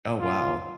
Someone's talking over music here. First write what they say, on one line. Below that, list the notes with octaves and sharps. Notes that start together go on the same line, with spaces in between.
Oh, wow.
F4